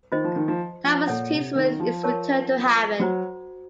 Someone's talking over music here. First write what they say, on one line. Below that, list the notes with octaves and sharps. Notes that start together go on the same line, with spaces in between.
Thomas Theisman is returned to Haven.
D#3 F4 C5 D#5
F3
D#3
F3
F3
A#2 A4 C#5 F#5
C3
D#3
F3
A#4 C#5 A5 C#6
F#3 F#4 C5 F#5 A#5